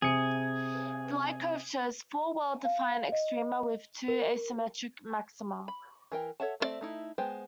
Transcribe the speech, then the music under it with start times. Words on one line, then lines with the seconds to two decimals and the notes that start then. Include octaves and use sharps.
The light curve shows "four well defined extrema with two asymmetric maxima".
0.02 C3 G#4 C#7
2.65 F5
3.12 D#5
4.08 A#4
5.68 B5
6.12 E3 A#4 G5
6.40 A4 C#5 E5 F#5 A5
6.60 A3 B3 C4 D5 E5
6.81 A3 D#4 E4
7.18 G#3 B3 B4 C5 G5